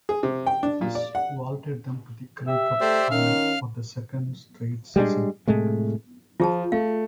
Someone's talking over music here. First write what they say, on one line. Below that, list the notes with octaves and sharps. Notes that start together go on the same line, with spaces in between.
This vaulted them to the Grey Cup final for the second straight season.
G#4
C3
G5
D4
A#2
D5
F#5
G4 E5
A3 G4 C5 D5
D#3 C#4 F5 F6
G3 G#3 A#3 D4
A2 C3 G#3 A3
F3 F4 G#4 A5
A3 F5